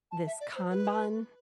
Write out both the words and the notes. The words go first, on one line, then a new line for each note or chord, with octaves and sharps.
this Kanban,
A5
E5
D5
C5
B4